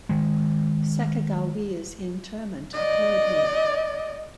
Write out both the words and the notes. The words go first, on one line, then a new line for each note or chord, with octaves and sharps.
Sacagawea's interment occurred here.
D#3 G#3
D5 D#5